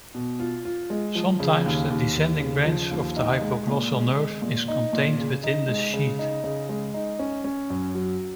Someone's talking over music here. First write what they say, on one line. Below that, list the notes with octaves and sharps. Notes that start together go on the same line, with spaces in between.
Sometimes the descending branch of the hypoglossal nerve is contained within the sheath.
B2
F4
F4
G#3
F3
C#3
D#2
D#2
D#2
C#3
F3
D#2
D#4
G#3
A#2
G#3
G#3
A#2
D#4
A#2
C#3
D#4
G#3
C#3
D#4
C#3
G#3
D#4
C#4
C#4
F#2
F#3